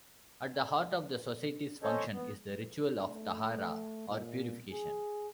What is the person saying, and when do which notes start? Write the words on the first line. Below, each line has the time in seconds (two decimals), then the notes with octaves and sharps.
At the heart of the society's function is the ritual of "tahara", or purification.
1.83 C#4 A4 C5 C#5 D#5
2.13 B3
3.05 A3
4.09 A#2
4.72 G#4